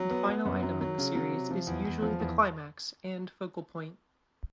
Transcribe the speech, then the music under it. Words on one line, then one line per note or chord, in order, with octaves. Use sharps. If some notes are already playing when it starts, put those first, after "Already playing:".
The final item in the series is usually the climax and focal point.
Already playing: F#3
B3
B3
F#2
F#3
F#3
C#3
F#3
C3
F3
E2
E2
F3
E2